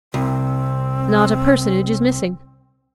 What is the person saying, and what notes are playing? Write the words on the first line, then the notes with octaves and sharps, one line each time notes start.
Not a personage is missing.
C2 C4